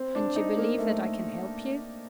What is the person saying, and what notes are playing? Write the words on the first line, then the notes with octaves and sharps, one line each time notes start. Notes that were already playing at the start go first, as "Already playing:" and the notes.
"And you believe that I can help you?"
Already playing: C4
D4
D#4
A#3
A3